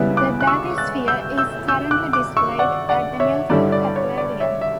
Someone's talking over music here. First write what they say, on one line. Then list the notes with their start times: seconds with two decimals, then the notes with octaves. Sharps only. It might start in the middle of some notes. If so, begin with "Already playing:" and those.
The bathysphere is currently displayed at the New York Aquarium.
Already playing: C#2 C#3 G3 B3 E4
0.17 D6 F#6
0.41 F#6
0.47 C#6 E6
0.78 F#6 A6
1.08 E6 G6
1.38 E6 G6
1.68 E6 G6
1.91 D6 F#6
2.13 D6 F#6
2.37 C#6 E6
2.59 D5 F#5
2.89 D5 F#5
3.20 C#5 E5
3.50 G2 D3 G3 C#4 E4 D5
3.72 D5
3.96 C#5
4.18 D5
4.40 C#5 E5
4.61 E5